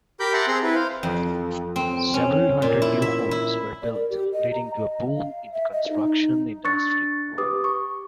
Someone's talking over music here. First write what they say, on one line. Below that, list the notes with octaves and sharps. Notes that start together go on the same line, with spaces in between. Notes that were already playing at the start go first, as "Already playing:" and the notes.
Several hundred new homes were built, leading to a boom in the construction industry.
G4 A#4 B5 D6 G6
E5 F#5 G5 A5 A#5 C6
C4 G#4 A#5 C6
E4 B4
C5 F5
F2
C4
C#4
A#2
E4
E5
E4
D5
A#4
G4
D#5
A#5
D#5
F5
E5
D#5
D#4
D4 C#6 F#6 A6 C#7
G4 B4 D6 D#6
C#6